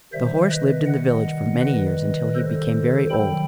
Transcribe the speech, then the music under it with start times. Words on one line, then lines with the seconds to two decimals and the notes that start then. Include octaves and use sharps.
The horse lived in the village for many years, until he became very old.
0.12 C3 D#3 G3 C5 E5
0.50 B4 D#5
0.86 D#5 F#5
1.60 B4 D#5
2.35 A4 C5
3.09 C3 D#3 F#3 G5 B5